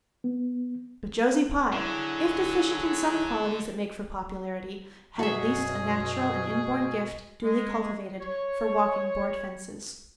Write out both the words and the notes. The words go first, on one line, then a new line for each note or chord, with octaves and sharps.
But Josie Pye, if deficient in some qualities that make for popularity, had at least a natural and inborn gift, duly cultivated, for walking board fences.
B3
D3 F#3 E4 G#4
F#2 B2 F#4 G#4 E5
G#3
C#5